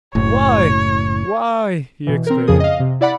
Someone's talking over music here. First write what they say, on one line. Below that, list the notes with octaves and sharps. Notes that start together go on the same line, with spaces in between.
"Why--why!" he exclaimed.
F#1 A2 C#5
B2 E3
C4 A#4
F2 C#3 F3 G#4 D#6
D#5 F5
C3
E4 D5 F#5 B5